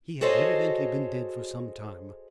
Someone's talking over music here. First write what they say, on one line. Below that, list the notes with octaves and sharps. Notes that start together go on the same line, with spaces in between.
He had evidently been dead for some time.
F#4 G#4 A4 C5 C#5 D#5